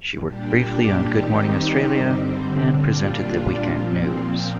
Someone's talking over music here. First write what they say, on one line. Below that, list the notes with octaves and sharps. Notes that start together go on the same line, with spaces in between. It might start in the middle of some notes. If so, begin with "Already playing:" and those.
She worked briefly on "Good Morning Australia" and presented the weekend news.
A#2 G3 D4 G4
D#3 G3 C4 D#4 G4
G2 D3 G3 C4
A#2 G3 D4 F4
A#2 F3 C4